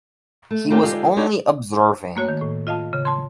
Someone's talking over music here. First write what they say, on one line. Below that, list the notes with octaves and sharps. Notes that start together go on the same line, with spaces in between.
He was only observing.
A3
A3 A#3 C4 C#4 F4 G4
D3 G#3 D#4 F4 G4 A4
D4 D#4 F#4 G4 B4 C#5
A3 A#3 F#4 C#5
D#3
A2
F4 D#5 F5 A5
C#3
A5 C6